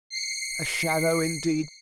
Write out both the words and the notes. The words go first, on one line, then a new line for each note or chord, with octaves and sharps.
A shadow indeed!
C7 C#7